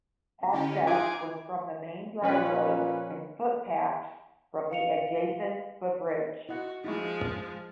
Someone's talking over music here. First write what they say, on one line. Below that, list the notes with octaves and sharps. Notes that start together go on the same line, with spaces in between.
Access was from the main driveway and footpaths from the adjacent footbridge.
D3 C#4 E4 G4
D#4 F4 G#4 G#5 A#5 D6 F#6
A#2 F3 C#4 B4
B4 F5 C#7 F7
E4 F#4 D#5 F#5
F3 G#3 D#4 E4 C#6